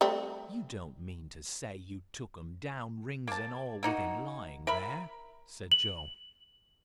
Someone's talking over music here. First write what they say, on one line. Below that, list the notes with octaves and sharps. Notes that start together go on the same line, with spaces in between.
"You don't mean to say you took 'em down, rings and all, with him lying there?" said Joe.
G3 A3 C4
A#3 A5
A#3 D#4 F#4
A#4 E5 B5
F#7